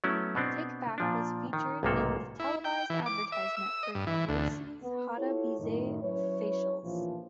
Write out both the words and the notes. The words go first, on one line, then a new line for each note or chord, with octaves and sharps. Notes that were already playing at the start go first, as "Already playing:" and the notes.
"Take Back" was featured in the televised advertisement for Kracie's Hada-bisei facials.
F#3 A3 B3 C#4 E4
B2 B3 C4 D4
A#2 F3 D4
D#3
B1 G#2 C3 D#3 A#3 A4
E4
G5
E3
D6
E5
E6
D#5
G2
E3
D2
B3
E4 F4 G4 A4 C#5
F#2 A2 D#3
F#3 C#4 E4 B4 C#5
A#1 D#2 B2 E3 F3